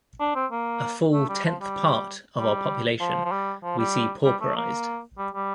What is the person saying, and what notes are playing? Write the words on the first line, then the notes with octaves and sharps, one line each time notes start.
A full tenth part of our population we see pauperized.
D4
C4
A#3
A3
G3
F3
G3
G3
F3
F3
G3
F3
G3
G3
A3
A#3
G3
G3